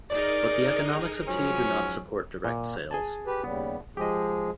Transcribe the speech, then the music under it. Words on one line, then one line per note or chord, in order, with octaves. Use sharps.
But the economics of tea do not support direct sales.
D#4 G#4 A#4 D5
G#2 F3 F#3 C#4
A#2
G#4 G#5 A5
G4 B4
D#2 C#3 G3 B3
F3 G#3 G4 G#4 D#5